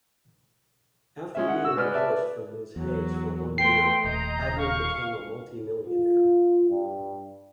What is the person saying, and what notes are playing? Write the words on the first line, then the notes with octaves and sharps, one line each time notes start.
After being divorced from Ms. Hayes for one year, Agnew became a multi-millionaire.
G#3 C#4 E5
F#5
F#4 E6
G#3 B4 D5 F6
D5 E5 A5
E2 F#3 F#4
A3 B4 G5 C6 C7
D#1 D#5 A#5 G6
F5 C#6
F4
G2